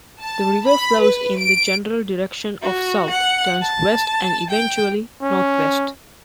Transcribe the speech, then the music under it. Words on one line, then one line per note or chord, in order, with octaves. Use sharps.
The river flows in the general direction south, turns west, and eventually northwest.
A5
B5
B4
D7
F#4
F#5
A5
G5
C#4